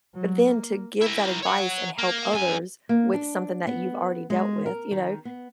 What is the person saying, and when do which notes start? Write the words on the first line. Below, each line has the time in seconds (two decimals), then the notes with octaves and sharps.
b then to give that advice and help others with something that you've already dealt with, you know,
0.15 F#3
0.48 A#3
1.02 E4 A#4
1.43 C#5 F#5
1.98 A#3
2.33 F#2 G#5
2.89 A#3
3.14 D4
3.67 B3
4.30 G#3
4.66 A#4
4.91 D#3
5.25 B3